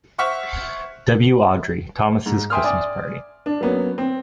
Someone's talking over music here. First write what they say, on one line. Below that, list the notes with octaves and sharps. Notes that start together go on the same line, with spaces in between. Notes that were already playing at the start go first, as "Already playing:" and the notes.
W. Awdry, "Thomas' Christmas Party".
C5 E5 F#5 C#6 F6 B6
G#2
E5 G5 G#5 C6 D#6 F6
D5 G#5 D#6
D4
F#3 A#3 B3 C#4
C4